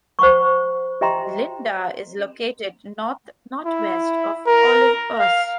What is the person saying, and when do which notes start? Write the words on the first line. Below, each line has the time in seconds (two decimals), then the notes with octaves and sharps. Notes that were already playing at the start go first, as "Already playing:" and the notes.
Linda is located north-northwest of Olivehurst.
0.19 C5 F#5 B5 C#6
1.01 G4 D#5 E5 G5 A#5 C6
3.66 E4
4.47 A#4
5.19 F5